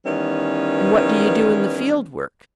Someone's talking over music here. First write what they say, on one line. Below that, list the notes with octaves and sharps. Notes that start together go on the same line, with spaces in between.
"And what do you do in the Field Work?"
D#3 E3 G3 B3 C#4